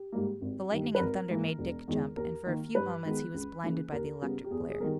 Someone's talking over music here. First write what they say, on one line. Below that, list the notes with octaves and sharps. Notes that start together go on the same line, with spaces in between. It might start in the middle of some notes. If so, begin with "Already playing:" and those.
The lightning and thunder made Dick jump, and for a few moments he was blinded by the electric glare.
Already playing: G4
G#2 G3 A#3
G#1
G2 D#3
B4
G#1 A#4
G#2 E3 A#3
E1
E2 D#3 G#3
D#2 A#4
D#3 A#3
G2 B4
D#3 G#3 B3
C#2
C#3 E3 A#3
D#2 A#4
C#3 G3 B3
G4
E2 G#4
G#4
D#3 G3 B3 A#4